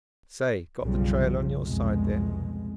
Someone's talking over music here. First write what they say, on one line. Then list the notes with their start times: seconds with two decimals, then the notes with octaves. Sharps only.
Say, got the trail on your side there?
0.82 B1 F#2 C#3 F3 G3
1.61 C2 F2 B2 G#3